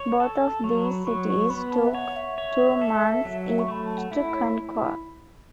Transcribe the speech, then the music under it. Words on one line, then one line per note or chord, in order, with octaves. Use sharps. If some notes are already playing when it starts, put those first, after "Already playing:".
Both of these cities took two months each to conquer.
Already playing: C#5
A4 A5
F#3 C#6
B5
F#3 C#6
C#6
B3 B5
A5
E5
C#5 F#5
E5
C#5
A4
F#3
C#6
A3 B5
A5
F#5
E4 E5
C#5